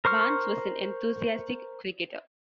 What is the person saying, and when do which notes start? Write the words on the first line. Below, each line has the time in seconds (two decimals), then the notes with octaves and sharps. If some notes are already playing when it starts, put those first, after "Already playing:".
Barnes was an enthusiastic cricketer.
0.05 A#4 C5 C#6 F6